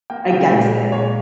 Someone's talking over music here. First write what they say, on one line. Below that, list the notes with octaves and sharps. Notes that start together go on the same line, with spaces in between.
against it.
A#3 G5
C#3 G5
A#2
G#3
A#2 C#5